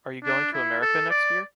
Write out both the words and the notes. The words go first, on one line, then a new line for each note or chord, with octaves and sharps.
Are you going to America next year?
D4
E4
A4
D5